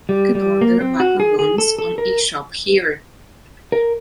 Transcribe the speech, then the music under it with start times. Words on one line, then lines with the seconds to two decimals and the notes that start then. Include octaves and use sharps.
You can order macaroones on e-shop HERE!
0.09 G3
0.35 G3
0.61 A#3
0.81 C4
1.00 F#4
1.20 G#4
1.39 G#4
1.58 A4
1.79 A4
1.98 A#4
3.72 A#4